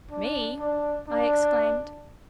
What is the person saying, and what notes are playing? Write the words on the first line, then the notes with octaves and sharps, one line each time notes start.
"Me!" I exclaimed.
D4
D4
D4